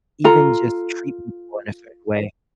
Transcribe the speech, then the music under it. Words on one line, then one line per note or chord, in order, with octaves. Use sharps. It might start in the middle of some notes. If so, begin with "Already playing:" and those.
even just treat people in a certain way.
F4 A4 A#5